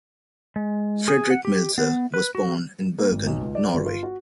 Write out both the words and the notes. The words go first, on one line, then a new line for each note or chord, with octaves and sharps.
Fredrik Meltzer was born in Bergen, Norway.
G#3
G#4
F#5
G4
B3
B4
F#4
A#3
G#1
B1
C#2
D5
G1
F4
F#4